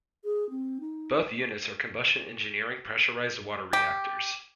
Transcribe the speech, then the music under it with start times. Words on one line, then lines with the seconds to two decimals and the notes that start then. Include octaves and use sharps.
Both units are Combustion Engineering pressurized water reactors.
0.24 G#4
0.50 C4
0.80 D#4
3.73 G4